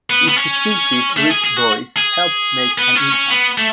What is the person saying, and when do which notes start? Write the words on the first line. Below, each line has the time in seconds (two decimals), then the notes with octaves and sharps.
His distinctive rich voice helped make an impact.
0.10 B3
0.28 B3
0.36 C#4
1.17 A3
1.30 G#4
1.44 G#4
1.57 F#4
1.97 G#4
2.78 B3
2.95 C#4
3.13 C#4
3.31 B3
3.58 A3